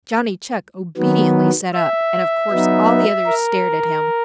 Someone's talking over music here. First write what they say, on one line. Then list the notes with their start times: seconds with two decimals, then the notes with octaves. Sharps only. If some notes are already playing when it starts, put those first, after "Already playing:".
Johnny Chuck obediently sat up, and of course all the others stared at him.
0.97 D#3 F#3 B3
1.74 E5
2.51 F#3 B3 D#4
3.26 A#4